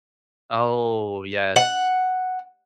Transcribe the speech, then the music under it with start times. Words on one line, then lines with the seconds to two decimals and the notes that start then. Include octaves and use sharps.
Oh, yes.
1.56 F#5